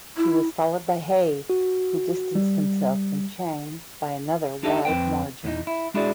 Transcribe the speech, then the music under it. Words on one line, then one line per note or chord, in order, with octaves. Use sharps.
He was followed by Hei who distanced himself from Chang by another wide margin.
E4
F#4
G3
D4 D#4 G4 A4 D#5 E5
F2 C4 B4 G5
E2 E3 D#4
E4
G#3 D4 E4 F#4 G#4 D5